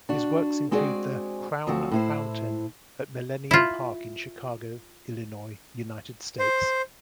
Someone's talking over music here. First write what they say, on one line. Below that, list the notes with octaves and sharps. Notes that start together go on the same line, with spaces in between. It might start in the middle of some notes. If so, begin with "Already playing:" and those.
His works include the "Crown Fountain" at Millennium Park in Chicago, Illinois, United States.
D4 F#4
G#3 C4 F#4 G#4 B4 D5
D2 F3 F#3 C4 F#4
A2 E4 C5
E4 F4
C5